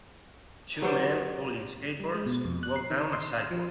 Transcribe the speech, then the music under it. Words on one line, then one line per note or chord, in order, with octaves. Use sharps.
Two men holding skateboards walk down a sidewalk.
F#3 G4 B4 C5 D5
G3
G#3
B2
F2
F#6
C7
D#3
C6
F5
F3